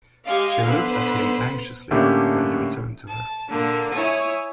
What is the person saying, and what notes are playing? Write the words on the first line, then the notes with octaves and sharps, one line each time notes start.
She looked at him anxiously when he returned to her.
G#3 G4 F5 G#6
D3 B3 B4 C5
A2 D3 A3 A#3 C#4 G4
A5
A#2 D3 A#3
E4 C#5 G#5 D#6